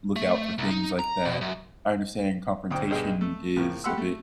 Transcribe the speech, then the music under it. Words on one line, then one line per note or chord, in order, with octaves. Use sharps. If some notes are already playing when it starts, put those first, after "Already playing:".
look out for things like that. I understand confrontation is a bit
A3
C2
D#4
A#5
B2
F#2
D2 G#2 C4 G5 D#6
B1 G2 G3 G#4 D#5 G5
A3
A2 C#3 F3 A#3
A3 G4 F#5 B5 C6 E6
A3